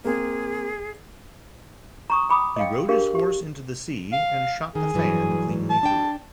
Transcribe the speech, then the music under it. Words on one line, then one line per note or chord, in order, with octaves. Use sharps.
He rode his horse into the sea and shot the fan cleanly through.
A#3 C4 G#4
A#5 C#6 D#6
G5 B5 D6 D#6
D#5 F5 G5
D4 G4 G#4 A#4 F5
G4
F5
D#3 G#4
G2 E3 F#3
A5
D4 G5